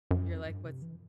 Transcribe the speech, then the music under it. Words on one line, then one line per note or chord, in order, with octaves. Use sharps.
You're like, "What's
F#2
F2
G2
C3
E3